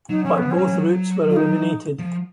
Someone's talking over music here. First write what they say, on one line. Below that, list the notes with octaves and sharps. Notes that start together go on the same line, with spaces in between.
But both routes were eliminated.
F#3 D#4
F3 C#4
F3 B3
C#4
F#3
F#3
F4
D#4
F3